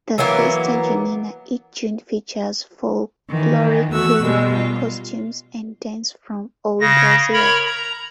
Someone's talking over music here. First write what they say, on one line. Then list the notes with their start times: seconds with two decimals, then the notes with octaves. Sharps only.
The "Festa Junina" each June features folkloric food, costumes, and dance from old Brazil.
0.18 E3 F#3 A#3 B3
3.30 D#3 E3
3.91 E2 A3 F#4 E6
4.23 B2 G3 G#3
4.55 F4
6.80 C#3 A#6
7.33 A#4 C#5 B5
7.66 A#5